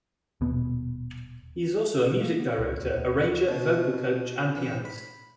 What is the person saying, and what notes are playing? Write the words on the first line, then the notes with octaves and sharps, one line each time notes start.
He is also a music director, arranger, vocal coach, and pianist.
D#1 B2 B3
B2
A#3
B3
C#2
D#2
D#2
B2
E3
B5